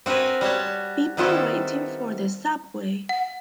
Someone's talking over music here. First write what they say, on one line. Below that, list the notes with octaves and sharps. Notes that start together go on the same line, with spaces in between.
People waiting for the subway.
C4 F#4 A#4 B4 G#5
G3 F#4 C#5 A5
D#3 G3 B3 C4 E4 A4
F#5